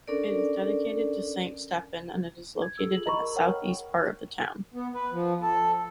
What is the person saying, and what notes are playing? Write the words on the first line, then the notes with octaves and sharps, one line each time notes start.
It is dedicated to Saint Stephen, and it is located in the southeast part of the town.
C#4 D4 A4 A#4 D5
G#6
G4 A4 E6
F4 G#4 F#7
D#5 A#5 B5 C#6
A#4
A#4 C#5 F#5 G5 D6 F6
B3
B4
F3
A4